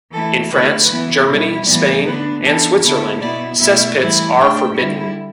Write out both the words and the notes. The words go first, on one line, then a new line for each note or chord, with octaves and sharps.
In France, Germany, Spain and Switzerland, cesspits are forbidden.
E3 A3 E4 A4
D3 A3 E4 B4
E3 B3 E4
B2 G3 E4
A2 E3 G3 B3 D5
D3 B3 D4 B4
E3 B3 D4 A4
D3 B3 E4 A4
B2 B3 E4 D5
B2 A3 E4 E5
A2 E3 G3 E4
A2 A3 D4 G5
D3 G3 E4